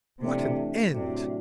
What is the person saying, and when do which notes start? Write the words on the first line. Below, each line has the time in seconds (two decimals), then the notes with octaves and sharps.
What an end!
0.21 C3 E3 A3 D4
0.92 A2 C3 F#3 A3 D4